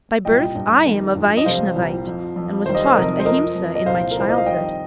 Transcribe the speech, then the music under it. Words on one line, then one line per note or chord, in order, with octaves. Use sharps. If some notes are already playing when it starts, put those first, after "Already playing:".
By birth I am a Vaishnavite, and was taught Ahimsa in my childhood.
C2 A#2 G3 D#5 G5
G2 G3
F2 D#3 G3
G2 F3
D#5
F2 C3 G3 C5 F5
C2 A#2 G3
F2 F3
F2 F3
D#2 D#3 G3 C5
D#5
C5
F2 C3 D#3 G3 A#4 D#5
C5
F2 F3 A#4 D#5
F2 F3
D#5
C2 A#2 F3 C5 F5
A#4
C2 A#2 F3 C5
D#5
F5
F2 D#3 G3 D#5 G5